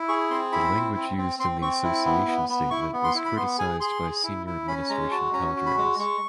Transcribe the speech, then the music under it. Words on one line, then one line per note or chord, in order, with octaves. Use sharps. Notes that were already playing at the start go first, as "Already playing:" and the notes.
The language used in the association statement was criticised by senior administration cadres.
Already playing: E4
G#4 C#6
C4 C6
E4 B5
C4
C4
C4
C4 C6
C4 C#6
E4
B3
B3
B3
E4 C#6
B3
C6
E4
B5
B3 C6
G#4 G#5
G#4 C6
G#4
E4
E4
C#4 B5
G#3 A#5
F#4 A5
C#4 A#5
F#4
B5
G#3
G#3 C#6